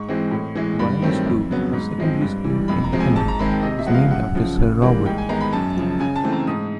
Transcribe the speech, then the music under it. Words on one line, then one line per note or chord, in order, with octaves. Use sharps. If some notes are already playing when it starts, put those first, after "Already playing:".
Vyners School, a secondary school in Ickenham is named after Sir Robert.
Already playing: G#2 C#6
E3 G#3 C4
A2
E3 G#3
G2 B5
D#3 F#3 A3 C4
F2
C#3 F#3 B3
G#2
F3 G#3 C4
G2
E3
G3
F2 B5
A#5
C3 F3 G#3 C4
G#5
G#2 A5
A#5
D#3 G#3 C4 B5
G5
C3 D#5
E5
F3 G#3 B3 F#5
F5
F#2 F#5
C#3 F3
C#3
E3 G3 A#3
G#2 G5
G#5
D#3 G#3 B3 A#5
B5
F#2 A5
C#3 F3
C#3 G#5
A5
E3 A3 C4
A#5
G#2 D#6